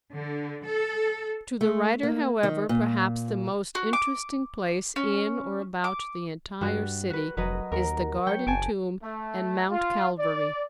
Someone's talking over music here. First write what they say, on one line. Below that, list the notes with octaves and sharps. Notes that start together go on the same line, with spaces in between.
To the writer, however, perhaps the most interesting place in or about the entire city is the Garden Tomb and Mount Calvary.
D3
A4
A3
A#3
D#3
A#2
F#4
D6
C#4
D6
G2 G3 F#4
F#4 B4
F1 F#3 B4 D#5
D#2 A#4
F#3 G5 C#6
F#1 G#5 A5 D7
A3
F4
D5